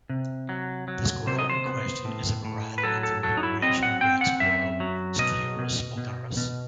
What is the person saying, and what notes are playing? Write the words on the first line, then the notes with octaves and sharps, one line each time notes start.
The squirrel in question is a variety of the Eurasian red squirrel, "Sciurus vulgaris".
C3
F#3
F#3
C3 C5
D#5
C5
B3
A2
A2
B4
F#3 A4
A4
F#3 A4
D#4
E4
C4 D#5
F#5
C4 G5
F#5
F#2 E5
F#3
B2 D#5
B2
B2
B2